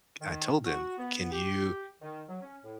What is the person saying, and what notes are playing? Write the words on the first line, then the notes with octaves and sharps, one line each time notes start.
I told them, "Can you"
D#3
F#4
B3
G4
D#3
F#3
C#4
A2